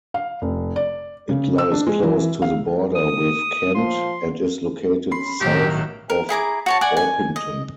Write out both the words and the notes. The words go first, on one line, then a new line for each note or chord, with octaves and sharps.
It lies close to the border with Kent, and is located south of Orpington.
F5
F1
D5
C#3
E6
D4
G#3
E3
F5
D#6
F3 C6
C#4 B5 C6 C7
B1 A2 D#3 F#3 A3 F#4 G4
A#4
E4 G#4 A#5 D6
F#4 C#5 A5
D5 F#5 G#5
G#5
D#5